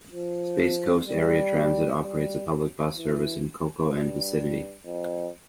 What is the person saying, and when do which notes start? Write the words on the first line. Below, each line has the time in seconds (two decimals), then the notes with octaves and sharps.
Space Coast Area Transit operates a public bus service in Cocoa and vicinity.
0.12 F3
1.06 G3
2.02 G3
2.97 E3
3.91 G2
4.85 F2